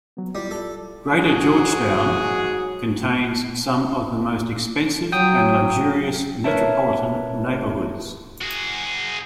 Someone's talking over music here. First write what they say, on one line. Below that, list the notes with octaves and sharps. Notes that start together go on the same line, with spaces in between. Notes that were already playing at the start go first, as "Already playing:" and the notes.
Greater Georgetown - contains some of the most expensive and luxurious metropolitan neighbourhoods.
F#3 B3
G3 E4 F4 D5
A4
G#2 F#3 F#4 G#4
F#3 G5 D#6
A#4 B4 C#5 E5 A5
F#4 G#4